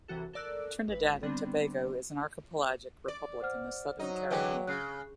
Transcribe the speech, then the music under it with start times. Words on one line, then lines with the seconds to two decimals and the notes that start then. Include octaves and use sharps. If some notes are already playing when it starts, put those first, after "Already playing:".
Trinidad and Tobago is an archipelagic republic in the southern Caribbean.
0.08 C2 C3 E3 F#4 A4
0.33 A4 A#4 D5 E6 F#6
0.88 G#1 B4
1.23 D3 G3 B3 C4 D4
3.08 D5
3.41 C5 F#5 F6
3.99 F#3 D#4
4.30 D3 E3 G#3 B4 G5 D6
4.67 C#3 F#6 C7